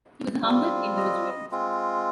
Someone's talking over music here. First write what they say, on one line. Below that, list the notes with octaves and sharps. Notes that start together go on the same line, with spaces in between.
He was a humble individual.
G3 C4 F4
D#5
G#3 C4 F4